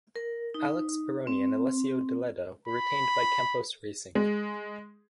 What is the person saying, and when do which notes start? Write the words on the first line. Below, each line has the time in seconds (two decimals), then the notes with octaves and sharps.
Alex Peroni and Alessio Deledda were retained by Campos Racing.
0.16 A#4
0.54 D#4
1.27 C4
2.68 B5
4.15 G#3